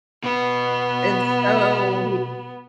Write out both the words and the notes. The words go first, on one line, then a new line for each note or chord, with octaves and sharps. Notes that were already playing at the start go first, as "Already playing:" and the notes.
and so he
B2 B3 F#5